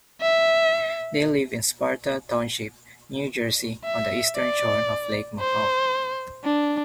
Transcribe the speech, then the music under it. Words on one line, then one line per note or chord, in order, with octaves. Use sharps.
They live in Sparta Township, New Jersey, on the eastern shore of Lake Mohawk.
E5
E5
D5
C5
D4